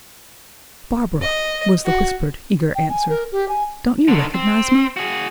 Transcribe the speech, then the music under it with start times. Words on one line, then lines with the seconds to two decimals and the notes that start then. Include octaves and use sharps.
"Barbara," was the whispered, eager answer, "don't you recognize me?"
1.21 D#5
1.85 F#4
2.75 G5
2.90 G#5
3.09 A#4
3.32 G4
3.49 G#5
4.08 D3 D#3
4.34 C4
4.97 F#4 G#4